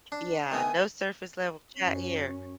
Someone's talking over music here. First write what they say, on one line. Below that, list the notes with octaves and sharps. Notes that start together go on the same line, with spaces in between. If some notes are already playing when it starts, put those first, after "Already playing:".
Yeah, no surface level chat here.
D4
D#3 A3 B3 G#5
F#2 C#4